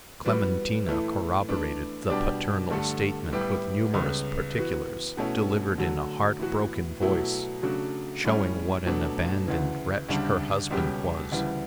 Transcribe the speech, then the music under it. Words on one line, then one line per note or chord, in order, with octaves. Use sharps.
Clementina corroborated the paternal statement with numerous particulars, delivered in a heart-broken voice, showing what an abandoned wretch her husband was.
E3 G3 B3 F#4 B4
A2 E3 A3 E4
E3 A3 D4
B2 G3 D4 G4 D5
G2 D3 A3 D4 A4
A2 G3 B3 E4 G4
C#2 C#3 G3 B3
E3 B3 F#4
B2 A3 C#4 E4
D3 F#3 A3
A2 E3 B3 F#4
B2 F#3 A3 E4
C#3 F#3 A3 D4 F#4
A2 G3 C#4
B2 F#3 A3 D4
D2 C#3 E3
D2 C#3 G3 D4
C#2 B2 G3 C#4 G4
D2 C#3 E3 G3